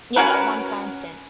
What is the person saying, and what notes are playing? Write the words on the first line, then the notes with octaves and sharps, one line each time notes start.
Yeah, that one constant.
C#4 F#4 A#4 B4